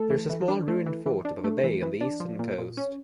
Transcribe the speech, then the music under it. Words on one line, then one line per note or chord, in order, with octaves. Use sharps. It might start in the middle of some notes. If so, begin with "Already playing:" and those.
There is a small ruined fort above a bay on the eastern coast.
Already playing: A3 A4
E3
E3
D4
A3
E3
E3
D4
A3
E3
E3
D4
F3
A#2
A#2
C#4